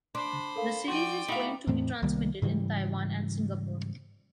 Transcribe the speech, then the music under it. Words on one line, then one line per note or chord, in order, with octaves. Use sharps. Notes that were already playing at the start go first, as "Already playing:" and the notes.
The series is going to be transmitted in Taiwan and Singapore.
D4 C5 B5 C6
A4 A#4 F5
F3 F#4 D5 G5 C6 D#7
A3 D#4 E4 F#4 F5
E2 A2 C4
C2 D#3 G3 A#3
G#2 C#3 E3 G3